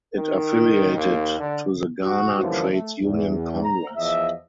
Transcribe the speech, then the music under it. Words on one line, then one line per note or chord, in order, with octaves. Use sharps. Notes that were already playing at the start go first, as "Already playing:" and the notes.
It affiliated to the Ghana Trades Union Congress.
D#3
D#2
D3
F#4
F#2 A#2 D3 E3 F3 G3
A3
E2
A#5
E2 F3 D#5 E5